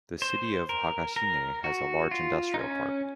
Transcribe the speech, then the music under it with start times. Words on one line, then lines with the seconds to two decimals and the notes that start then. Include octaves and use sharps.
The city of Higashine has a large industrial park.
0.22 C5
0.69 A#4
1.16 A#4
1.64 F#4
2.11 F4
2.54 D#4
2.59 C#4